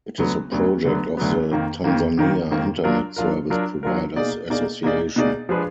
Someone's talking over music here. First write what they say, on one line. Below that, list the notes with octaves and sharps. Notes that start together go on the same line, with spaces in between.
It is a project of the Tanzania Internet Service Providers Association.
D2 D3 F#3 B3
D2 D3 F#3 B3
D2 D3 F#3 B3
D2 D3 F#3 B3
F2 D#3 A#3
F2 D#3 A#3
F2 D#3 A#3
F2 D#3 A#3
F#3 D4 F4 A#4
F#3 D4 F4 A#4
F#3 D4 F4 A#4
F#3 D4 F4 A#4
B2 A#3 D#4 G#4 D5
B2 A#3 D#4 G#4 D5
B2 A#3 D#4 G#4 D5
B2 A#3 D#4 G#4 D5
F3 G#3 D4 G#4 B4